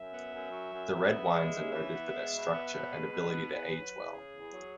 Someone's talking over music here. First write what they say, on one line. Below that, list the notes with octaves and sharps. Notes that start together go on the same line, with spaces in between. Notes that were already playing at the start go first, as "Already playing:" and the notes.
The red wines are noted for their structure and ability to age well.
Already playing: F#2 E5
B3
F#2
F#3
F#2
B3
B3
G#3
C#3
E3 E5
B3
G#3
B2
B3
B2
G#3 B4
B2
B3
E2
F#3
E2
C#3 G#4
E2
F#3